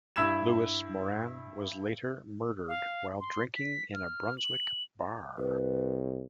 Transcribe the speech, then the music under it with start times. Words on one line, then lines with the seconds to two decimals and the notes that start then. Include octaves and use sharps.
Lewis Moran was later murdered while drinking in a Brunswick bar.
0.16 G2 E4 B5 E6 G#6 E7
2.68 F5
3.20 C6
3.56 B6
3.94 F6
4.38 F#7
5.38 C2 B4